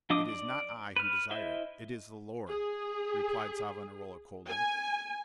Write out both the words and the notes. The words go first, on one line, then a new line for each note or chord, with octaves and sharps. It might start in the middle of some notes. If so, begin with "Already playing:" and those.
"It is not I who desire it; it is the Lord," replied Savonarola coldly.
F3 D4 D#5 D6 D#6
D5
B4 F6
E4 C5 D#5 E5
G#4
G#5